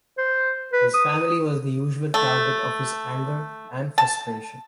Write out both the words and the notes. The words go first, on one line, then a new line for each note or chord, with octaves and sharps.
His family was the usual target of his anger and frustration.
C5
B4
D#6
A3
A5